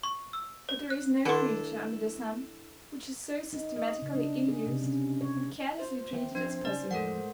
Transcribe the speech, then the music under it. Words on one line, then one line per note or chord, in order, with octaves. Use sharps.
But, there is no creature under the sun which is so systematically ill-used, and carelessly treated as pussy.
C#6
E6
C#5
F#6
D#3 D4 E4 A4 C#5 F#5 C6
D#4
D#5
C#3
D4
G#4
C3
C#4
C#5
F4 C5
D#3 E3 A#3 E5 G5
F3 C4 D4 C5
C#3 C#4 D#4 D5
E2 A2 F3 G#3 A4 A#4 F#5